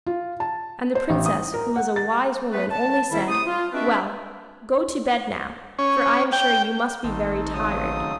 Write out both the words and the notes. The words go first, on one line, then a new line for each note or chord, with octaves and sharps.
And the princess, who was a wise woman, only said: 'Well, go to bed now, for I am sure you must be very tired.'
F4
A5
C5
A1
D#6
A#4
F#5
A6
A3 B3 B4
A5
G#2 D#3 G3 E4
C3 A3 C5 D#6
F4
G#3 C4 D4 F#4 B4 E5
C#4
G5
A1 D#3 A3 C4 D#4
C#3 F#3 D#6